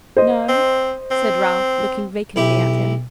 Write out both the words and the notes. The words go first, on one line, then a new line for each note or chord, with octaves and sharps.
'No,' said Ralph, looking vacantly at him.
C5 D#5
C4
C4
B1 E4 G4 E5